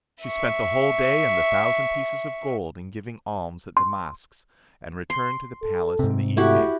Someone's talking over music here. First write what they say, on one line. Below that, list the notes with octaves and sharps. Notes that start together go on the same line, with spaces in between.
She spend the whole day and the thousand pieces of gold in giving alms at the mosques, and returned to the palace in the evening.
E5 C#6
C6
C6
A4
G#2 C3
A3 E4 F#4 G4